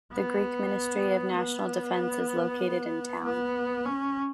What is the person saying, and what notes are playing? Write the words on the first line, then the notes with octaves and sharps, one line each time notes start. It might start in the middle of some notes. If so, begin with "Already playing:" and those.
The Greek Ministry of National Defense is located in town.
B3
B3
B3
C#4